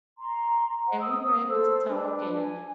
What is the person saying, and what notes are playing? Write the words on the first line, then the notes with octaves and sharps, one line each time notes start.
and we were able to talk, and
A#5 C6
C5 F#5 A#5
D#6 E6
A4 C5 E6
D4 B4
G#5